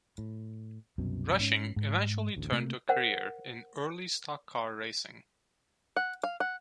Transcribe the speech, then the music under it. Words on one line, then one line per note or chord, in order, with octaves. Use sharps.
Rushing eventually turned to a career in early stock car racing.
A2
C2 F#2 B2
G#2 C4 C#4
G#2
A1 D2
C3 A3 A#3
A#4 C5 F#5
F#5
F5
F#5